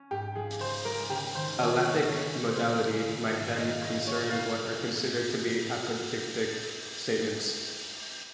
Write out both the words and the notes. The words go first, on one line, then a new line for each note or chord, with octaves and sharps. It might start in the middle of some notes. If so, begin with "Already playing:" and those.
Alethic modality might then concern what are considered to be apodictic statements.
Already playing: C#4
G#2 G4
F3 G#4
C#3 C5
G#3 A#4
C#3 G4
D#3 C5
D#3 C#5
A#3 C#5
G#3 C#5
G#3
C5
F3
G#3
D#3
G#2
F4 D#5
C#4 D#5
C#4 C#5
C#3 F5